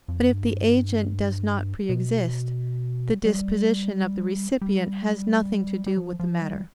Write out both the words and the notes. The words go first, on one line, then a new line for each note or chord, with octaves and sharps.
But if the agent does not pre-exist, the disposition of the recipient has nothing to do with the matter.
F2
G2
B2
G3
G3
G3
F3
F3
G3